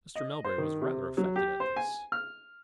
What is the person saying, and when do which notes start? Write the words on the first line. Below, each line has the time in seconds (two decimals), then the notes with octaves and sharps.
Mr. Melbury was rather affected at this.
0.15 D#5
0.44 C5
0.58 D#3
0.81 C3
1.17 F#3
1.36 G4
1.60 C5
1.76 G#5
2.12 F6